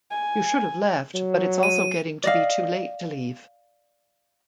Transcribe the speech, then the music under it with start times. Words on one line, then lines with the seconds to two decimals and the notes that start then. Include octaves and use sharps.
You should have left, but it’s also getting to be too late to leave.
0.11 G#5
1.14 F#3
1.63 D#7
2.24 D5 D#5 F5